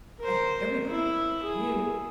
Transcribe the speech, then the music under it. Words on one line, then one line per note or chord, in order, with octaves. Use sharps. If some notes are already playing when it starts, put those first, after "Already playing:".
I hate everybody--but you!
A#4 C5
E4
G#4